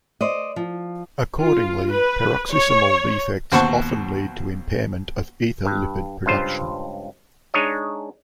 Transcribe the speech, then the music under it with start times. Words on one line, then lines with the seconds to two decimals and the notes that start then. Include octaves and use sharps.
Accordingly, peroxisomal defects often lead to impairment of ether-lipid production.
0.21 C5 D5 D#5
0.56 F3
1.40 F4
1.91 B4
2.51 C#5
3.52 D#2 B2 C5 F#5 A5 C#6
5.66 G2
6.26 C#2 G2 F4 C5
7.54 G#3 D4 D#4 C#5 D#5